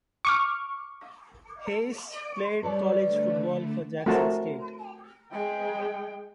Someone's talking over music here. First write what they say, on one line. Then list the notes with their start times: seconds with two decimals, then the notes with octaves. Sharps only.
Hayes played college football for Jackson State.
0.25 C#6 D6 F6
2.63 G3 B4 C#5 D5
3.02 D3 A3
4.06 A3 C4 F4 F#4 A#4 A5
5.32 G#3 G5